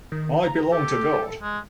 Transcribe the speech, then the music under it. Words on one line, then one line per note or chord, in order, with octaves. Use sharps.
I belong to God.
D#3
A#5
G4 A4
G#3